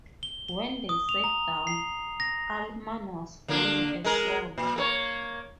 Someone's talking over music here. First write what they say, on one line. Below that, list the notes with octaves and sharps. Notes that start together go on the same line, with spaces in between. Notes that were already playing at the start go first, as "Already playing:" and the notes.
When they sat down, Allman was playing a solo.
G7
G7
D#6
F7
A#5
C7
A#6
D3 A#3 D4
G#3 A#4
A#2
A#3 G#4 C#5